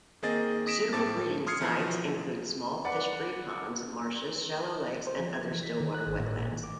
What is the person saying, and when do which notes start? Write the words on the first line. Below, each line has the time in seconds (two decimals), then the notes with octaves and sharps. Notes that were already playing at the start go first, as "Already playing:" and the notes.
Suitable breeding sites include small fish-free ponds, marshes, shallow lakes and other still-water wetlands.
0.22 D#3 A#3 C4 G#4 D#5 A6
0.67 D#6 A#6 B6 D7 E7
0.93 A2 C4 A5 D6 A6
1.47 C6 D#6 F6 G#6 C7 C#7
1.60 B2 E3 F3 A3
2.85 B4 D5 F#5
5.07 C5
5.19 F3
5.34 G#6
5.51 E3
5.63 B6
5.80 D#3
5.94 F#6
6.07 G#1
6.19 A2
6.37 A#2
6.52 D#3
6.64 D6